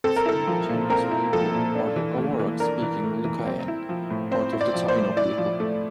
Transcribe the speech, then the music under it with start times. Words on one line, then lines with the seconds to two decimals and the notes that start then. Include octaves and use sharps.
Its indigenous people are the Arawak-speaking Lucayan, part of the Taino people.
0.04 C4 A4
0.16 A#4
0.26 E4 A4
0.47 F3
0.69 A#2
0.90 C4 A#4
1.11 E4
1.33 F3 A4
1.55 A#2
1.75 D4
1.96 E3
2.18 A3
2.39 E3
2.60 D4 A#4
2.82 E3
3.04 A3
3.24 E3
3.46 C4
3.68 E4
3.89 F3
4.10 A2
4.31 C4 C5
4.53 E4
4.61 D5
4.74 F3
4.88 C5
4.96 A2
5.17 E4 D5
5.38 F3
5.60 A3